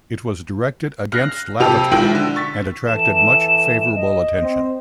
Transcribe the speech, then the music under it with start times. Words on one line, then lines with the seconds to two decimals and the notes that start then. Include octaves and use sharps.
It was directed against Lavater, and attracted much favorable attention.
1.12 F6 F#6 A#6 C7
1.60 F2 C3 G4 A4 F7
1.91 B1 F3 G#3 E4 G5 F#7
2.15 D3
2.36 C#6 A6 B6
2.87 E3 A4 E7
3.95 D#5
4.43 C4 C5